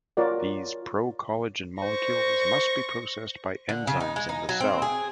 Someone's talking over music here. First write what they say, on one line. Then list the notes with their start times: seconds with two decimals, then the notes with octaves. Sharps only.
These procollagen molecules must be processed by enzymes in the cell.
0.17 F4 F#4 A#4 C#5 D5 F#5
1.82 C5 C#6 A#6
3.69 D3
3.87 C#3
4.00 D#4
4.16 G#3
4.29 D#4
4.49 F#3
4.60 C4
4.82 G#4